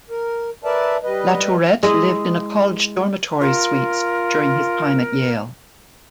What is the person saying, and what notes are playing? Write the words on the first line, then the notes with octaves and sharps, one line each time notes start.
Latourette lived in a college dormitory suite during his time at Yale.
A#4
A#4 B4 D5 E5 A5
G3 B4 D#5
G#3 E4 D#5
F4 A#4